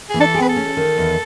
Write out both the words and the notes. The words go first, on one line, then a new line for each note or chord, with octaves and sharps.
But then, d
E3 G#4
A4
G#4
B4
A4
C#4
D#3
E2